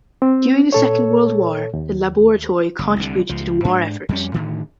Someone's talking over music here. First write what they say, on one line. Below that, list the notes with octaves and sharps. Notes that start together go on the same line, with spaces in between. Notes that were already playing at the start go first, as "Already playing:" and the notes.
During the Second World War, the Laboratory contributed to the war effort.
C4
A#2 A4 C#5
D#2
F#1
C2 D3
C#2 F3
G#2 C#4 D4
F2 G3 C#4
A2 D3 D#3